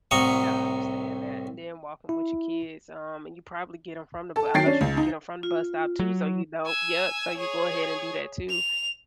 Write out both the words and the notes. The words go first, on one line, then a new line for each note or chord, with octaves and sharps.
Mm, yeah, I understand that, and then walking with your kids, um, and you probably get 'em from the b I'm not sure if you get 'em from the bus stop too, so, you know Yep, so, you go ahead and do that too.
C2 A2 A#5 C#6 D#6
E4
A4 A5
D#3 F#3 G5 A6 C7
C#4 D4
C#2
D#4
F4
F#3
G#5 E6
G#4 C#5
F7